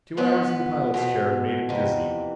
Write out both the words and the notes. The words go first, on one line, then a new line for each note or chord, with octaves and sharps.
Two hours in the pilot's chair had made him dizzy.
G#2 F3 B3 B4
E2 B2
F2 C3 E3